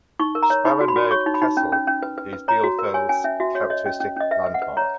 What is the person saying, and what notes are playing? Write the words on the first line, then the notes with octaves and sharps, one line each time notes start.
Sparrenburg Castle is Bielefeld's characteristic landmark.
D#4 C#6
A#4
A#5
C#5
D#4 B5
F#4
B5
F#4
C#5 C#6
D#4
B5
D#4
C#4
C#4
C#4
B4
B4
B4
C#5 A#5
F#4
A#4
C#5 G#5
C#4 G#5
C#4 E5
F#4 E5
F#4 C#5
C#5 D#5
C#4
C#4
C#4 D#5
B4 E5
B4
F#5
B4
C#5 A#5